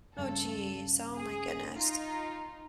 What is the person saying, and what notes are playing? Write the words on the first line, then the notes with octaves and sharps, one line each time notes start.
Oh, jeez. Oh my goodness.
G2 C#3 A4
G#4
D#4 F4